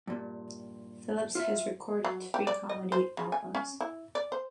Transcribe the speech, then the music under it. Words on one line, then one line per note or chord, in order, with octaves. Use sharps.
Philips has recorded three comedy albums.
G2 A#2
F4 E5
F#3
G4
D5
D#5
C5
C#3
G#5
C#4
E4
D5
C5